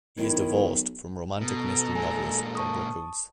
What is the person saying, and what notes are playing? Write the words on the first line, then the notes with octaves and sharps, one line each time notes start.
He is divorced from romantic mystery novelist Deborah Coonts.
B1 D#3 E4
B2 A4 A#5
A#2 G#3 G#5
A5 C#6 D#6